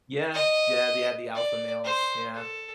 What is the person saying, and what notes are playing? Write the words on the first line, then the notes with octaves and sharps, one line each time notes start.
Yeah. Yeah, they have the alpha males. Yeah.
D#5
D5
C5
A4